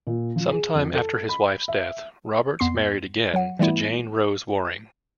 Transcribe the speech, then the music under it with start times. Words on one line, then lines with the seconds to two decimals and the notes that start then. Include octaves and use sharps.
Some time after his wife's death, Roberts married again, to Jane Rose Waring.
0.07 A#2
0.36 F3
0.50 G#4
0.75 F2
0.95 A4
1.29 B5
1.68 E5
2.59 F2 B3 C6 C7
3.34 F#3 F#5
3.59 E3 G3 A3 B3 E4